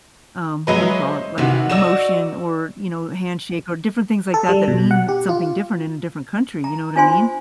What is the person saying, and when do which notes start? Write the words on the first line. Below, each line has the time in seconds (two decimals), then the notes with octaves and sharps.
um, what do you call it, like, motion or, you know, handshake or different things like that that mean something different in a different country, you know what I mean?
0.67 F#3 G#3 B4 C#5 D#5 E5
1.03 C5
1.38 C3 D#3 E3 F#4
1.70 D#4 F#4 D5 E6 E7
4.34 A4
4.49 G3
4.68 B2
4.91 F#5
5.08 G4
5.29 F4
6.64 A#5
6.96 D4 F4 C5 G#5 C6